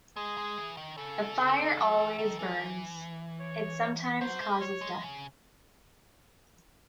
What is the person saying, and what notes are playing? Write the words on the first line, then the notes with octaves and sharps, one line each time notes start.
The fire always burns, it sometimes causes death.
G#3 G#4
G#3
E3
D#3
C#3 A4
F#3
E3
D#3
E3
C#5
F#3 C5
G#3
C#5
G#3
C#3